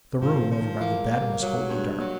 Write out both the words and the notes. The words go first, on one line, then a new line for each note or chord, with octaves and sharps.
The room, over by the bed, was wholly dark.
G#2 F3
C3
F3
D#3
E3 A#3
G#3
A#3
G3
F#3 G3
G#3
G2
G#3
F#3 A#3